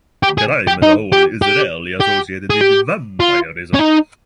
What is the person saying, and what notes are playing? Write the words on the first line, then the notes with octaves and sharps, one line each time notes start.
Crime as a whole is rarely associated with vampirism.
G4
G#4
G4
D#4
G4
G4
G4
G#4
G4
F4
C#4
D#4